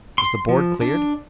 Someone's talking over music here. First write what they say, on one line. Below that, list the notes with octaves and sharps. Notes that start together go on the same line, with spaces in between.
"Is the board cleared?"
C6
F3
D4